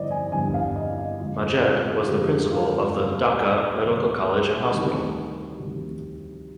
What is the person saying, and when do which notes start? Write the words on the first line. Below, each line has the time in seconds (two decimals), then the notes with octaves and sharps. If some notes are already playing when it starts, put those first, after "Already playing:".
Majed was the principal of the Dhaka Medical College and Hospital.
Already playing: G1 G2 D3 C5 D5 D#5
0.11 G#5
0.32 G1 G2 D3 G#5
0.54 F5
0.76 D#5
0.98 D#5
1.20 F2 D3 G#3 F4
1.64 F4
2.07 F2 D3 G#3 G4
2.52 F4
2.96 D2 C3 G3
3.84 D2 C3 G3
4.71 D2 C3 D#3 G3
5.59 D2 C3 D#3 G3